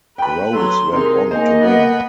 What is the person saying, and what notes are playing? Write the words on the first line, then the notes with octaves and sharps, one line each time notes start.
Rose went on to win.
B4 G5 B5
F#3 A4 C6
C3 D#4 G#4 A#4
A#3 D#4 C5 D#5 G#5
B3 B4